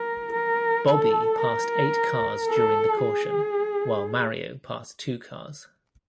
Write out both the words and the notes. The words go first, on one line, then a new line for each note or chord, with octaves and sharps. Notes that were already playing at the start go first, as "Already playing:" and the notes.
Bobby passed eight cars during the caution, while Mario passed two cars.
Already playing: A#4
A#4
A4
A#4
A4
G#4